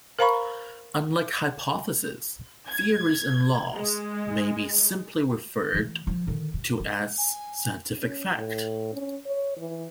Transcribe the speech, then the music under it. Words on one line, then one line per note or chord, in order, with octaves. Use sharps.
Unlike hypotheses, theories and laws may be simply referred to as scientific fact.
A#4 C5 F5 A#5 B5 C#6
G#6
G#3
E3 A3
F3
D3 D#3
G2
D3
G#5
C#4
A2
C#4
C#5
E3